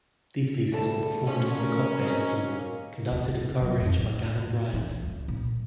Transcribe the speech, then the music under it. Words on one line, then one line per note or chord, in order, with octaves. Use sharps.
These pieces were performed by the Cockpit Ensemble, conducted and co-arranged by Gavin Bryars.
D2 C#3 G3 A4
F3 A3 C#4 C#5
A#4
F#3 C4 D#5
A#3
E2
F#3
F2
A2
E3
C#2
A#2